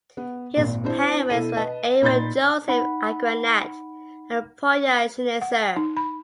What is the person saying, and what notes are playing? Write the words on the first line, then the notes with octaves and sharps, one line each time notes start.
His parents were Aaron Joseph Agranat and Polya Schnitzer.
B3
G#1 A#2
C4 D4 E4 C5
B2 E4 A4 D#7
B4 D#5 A5
A#2 D#4 B5 C6 G6 A6
D#4 F#5 B5
F#5
D#4
B5